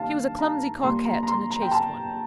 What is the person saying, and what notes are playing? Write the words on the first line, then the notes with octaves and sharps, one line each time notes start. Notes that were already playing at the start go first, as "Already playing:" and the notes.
She was a clumsy coquette and a chaste one.
Already playing: G2 D#3 A#3 F5 A5
A#5
A#2 G3 A#3 C6
A#5
A#5
C6
A#5
G5
A5